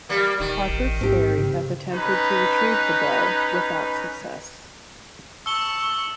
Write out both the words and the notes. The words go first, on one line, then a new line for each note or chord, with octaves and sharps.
Harpers Ferry has attempted to retrieve the bell without success.
G3 A#3
D#1 D#3
A1
G#2 C4 G4
C#3
C#4 D#4 B4
A5 C#6 E6 G7